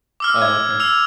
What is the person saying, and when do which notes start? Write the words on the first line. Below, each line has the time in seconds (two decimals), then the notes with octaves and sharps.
Oh, okay.
0.20 D6 E6 F6
0.42 G#6
0.80 E6 F7